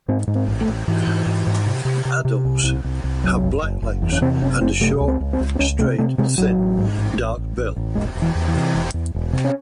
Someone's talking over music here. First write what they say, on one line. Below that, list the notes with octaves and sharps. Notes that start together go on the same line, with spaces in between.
Adults have black legs and a short, straight, thin dark bill.
G#2 C4
G#2
C4
A1
A3
A1
G#2 E3
G#2
G#2
G#2
C3
C3
C3
C3
C2
C2
C2
C2
F#1 F#3
F#1
F#1
F#1
E2
C#4
C3 C4
F#1 C#4
F#1 C4
C3 A3
C#2
C4
C#2
C4
C#2
C4
C#2 C#4
C3 A3
C3 A3
C3 G#3
A1 F#3
A1
G#2
A1
A1
A1
A1
A1
E1 G#3
E1
E3
E2
E3
C3
E1
E2
E1
C3
C#4